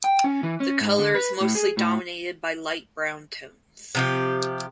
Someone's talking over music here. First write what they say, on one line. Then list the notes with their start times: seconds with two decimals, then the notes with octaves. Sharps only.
The color is mostly dominated by light brown tones.
0.04 G5
0.24 C#4
0.43 E3
0.60 C#4
0.80 G#2
0.99 D3
1.15 B4
1.41 A2
1.55 G#4
1.77 A2
3.95 C3 F3 G4